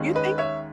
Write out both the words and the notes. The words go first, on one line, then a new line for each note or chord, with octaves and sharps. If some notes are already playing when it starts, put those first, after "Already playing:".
Do you think
Already playing: D#2 D#3 G#3 C#4
B4 D#5
C#5 E5